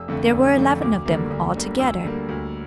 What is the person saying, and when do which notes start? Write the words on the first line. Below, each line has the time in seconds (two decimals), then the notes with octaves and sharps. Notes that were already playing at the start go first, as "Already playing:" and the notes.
There were eleven of them altogether.
Already playing: F1 E6
0.08 F2 D3 A3
0.33 F1
0.57 F2 D3 A3
0.82 D2 D6
1.06 D3 G3 A#3
1.31 D2
1.55 D3 G3 A#3
1.79 D2 E6
2.03 D3 G3 A#3
2.29 D2